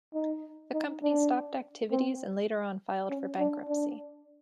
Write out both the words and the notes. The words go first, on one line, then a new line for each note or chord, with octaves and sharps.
The company stopped activities and later on filed for bankruptcy.
D#4
D#4
D4
C4
C#4
D4
D4